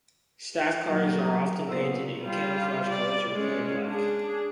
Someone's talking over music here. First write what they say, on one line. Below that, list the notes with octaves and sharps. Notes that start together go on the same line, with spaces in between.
Staff cars are often painted in camouflage colours, or plain black.
A#2 F#3 G3
A#4 D#6
A#2 C#3 B3 C5 E6
G3 F4
D5
G#3 C#4
D4 G#4